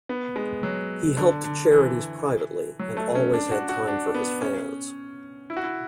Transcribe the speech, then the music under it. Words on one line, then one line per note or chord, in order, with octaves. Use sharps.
He helped charities privately, and always had time for his fans.
B3
G#3
F#3
D3
D3
E3
F#3
A3
C#4
D4
F#4
F#4
D4
B3
C#4
E4
F#4
E4